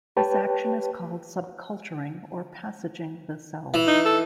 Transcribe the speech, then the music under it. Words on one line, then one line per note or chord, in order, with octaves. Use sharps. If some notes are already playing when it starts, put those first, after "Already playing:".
This action is called subculturing or passaging the cells.
G4 B4 C#5 G5 A5
E3
D#4
A4